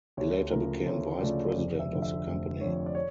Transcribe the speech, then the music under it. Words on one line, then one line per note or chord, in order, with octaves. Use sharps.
He later became Vice President of the company.
D2 C#5
C#3 F3 A3 A#4
D2 C#5
C#3 F3 A3 D5
F1 D5
E5
F2 D3
E5
F1
F2 D3 C#5
D5
C#5